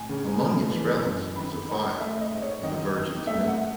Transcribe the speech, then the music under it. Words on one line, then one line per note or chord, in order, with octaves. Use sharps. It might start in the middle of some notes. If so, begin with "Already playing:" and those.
Among its relics was a phial of the Virgin's milk.
Already playing: A2 G#5
C#3
A3
E3
F#2
D#3 B5
D#4
A3 E5
D#5
G#2
C#5
D#3 D#5
D#4
A3 E5
F#5